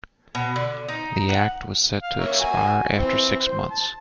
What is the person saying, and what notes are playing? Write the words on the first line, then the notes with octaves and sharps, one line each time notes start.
The act was set to expire after six months.
B2
D3
D#4
F#5
F5
A#3 C#5 E5
F#4 G#5
E3 C4
C5
A5